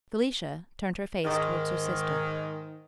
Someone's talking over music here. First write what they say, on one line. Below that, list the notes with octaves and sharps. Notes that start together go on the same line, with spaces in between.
Felicia turned her face towards her sister.
G#2 D#3